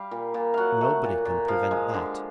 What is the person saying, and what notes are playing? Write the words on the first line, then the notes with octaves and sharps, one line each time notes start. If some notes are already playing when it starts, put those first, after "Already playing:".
Nobody can prevent that.'
Already playing: G3 F5
A#2
A#2
F#3 F5 F#5
A3
A#2
A#2
F3 F5
G#3
D3